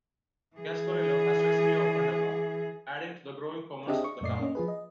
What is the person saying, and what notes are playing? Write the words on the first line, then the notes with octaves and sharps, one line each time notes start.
Gasparillo has recently opened a mall, adding to the growing commerce of the town.
E3 G#4
C4 D4 G4 G#4 D#5 E5
C#6
F#2 A#2 A3 D5 D#5 C7
A#3 C#4 D#5
F3 F4 G#4 B4
D#5